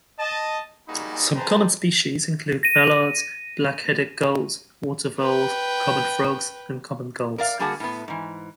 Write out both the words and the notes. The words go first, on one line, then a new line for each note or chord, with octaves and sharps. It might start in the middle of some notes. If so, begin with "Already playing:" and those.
Some common species include mallards, black-headed gulls, water voles, common frogs and common gulls.
D#5 A5
G3 A#3 D#4 F#4 G#4 B5
G#4 B4 C5 G5 A5 A#5
A#6 D#7
B4 G5
A#4 D5 F5
D3 G3 A#3 F#4 G#4 A5
A2 B3
G#2 E3